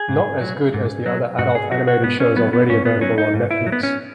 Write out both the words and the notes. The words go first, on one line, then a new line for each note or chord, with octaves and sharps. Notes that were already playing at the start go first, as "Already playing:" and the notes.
Not as good as the other adult animated shows already available on Netflix.
Already playing: G#4
G#2
F#3
G#2
F#3
G#2 F#4
G#4
F#3 F#4
F#4
G#2 B3
C#4
F#3 B3
B3
G#2 C#4
B3
F#3 C#4
D#4
G#2
E4
F#3
B3
C#4